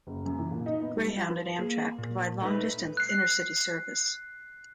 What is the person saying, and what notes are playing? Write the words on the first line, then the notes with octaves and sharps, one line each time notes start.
Greyhound and Amtrak provide long-distance intercity service.
F#1
F#2
E3
A#2
D#4
B3
G3
F4
B4
A#3 G#4
A#2
A3 D4 D#4 B4
F#6 C7